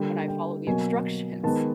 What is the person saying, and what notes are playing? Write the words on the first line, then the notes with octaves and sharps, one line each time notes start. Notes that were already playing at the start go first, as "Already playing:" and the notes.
when I followed the instructions."
Already playing: D3 G3 A#3 G5
G5
B2 F#3 A#3 G#5
D#3 G#3 B3 A5